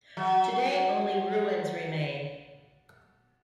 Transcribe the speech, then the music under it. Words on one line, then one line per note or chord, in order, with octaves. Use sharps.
Today only ruins remain.
F#3